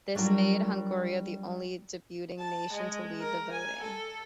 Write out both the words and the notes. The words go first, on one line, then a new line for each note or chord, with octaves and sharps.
This made Hungary the only debuting nation to lead the voting.
F#3 G3 D4 F4 A#4
A5
G#3
A#4
G#5
A4